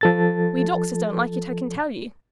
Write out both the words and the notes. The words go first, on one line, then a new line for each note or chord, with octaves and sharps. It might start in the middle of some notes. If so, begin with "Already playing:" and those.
We doctors don't like it, I can tell you!'
F3 A4 A6